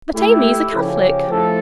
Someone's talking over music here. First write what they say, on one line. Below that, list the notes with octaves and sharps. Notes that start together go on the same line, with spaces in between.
"But Aimee is a Catholic?"
A3 E4 G4
C#3 F3 C#4 G4
F3 A3 E4 A4